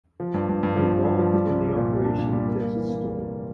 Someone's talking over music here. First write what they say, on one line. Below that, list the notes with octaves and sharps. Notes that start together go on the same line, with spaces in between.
He involved in the Operation Desert Storm.
F3
G2
G2
G2
F3
G2
G2
F3
G3
C2
G3
A#2
C2
D4
A#2
G3
A#3
A#3
E3
A#3
F1
F1